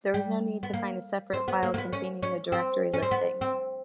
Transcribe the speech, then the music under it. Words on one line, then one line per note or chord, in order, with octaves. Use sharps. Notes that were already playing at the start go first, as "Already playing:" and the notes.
There was no need to find a separate file containing the directory listing.
G3
B3
A#3
C4
B3
A#3
A#3
B3
C#4
C#4
C4
C#4
C4
B3
C4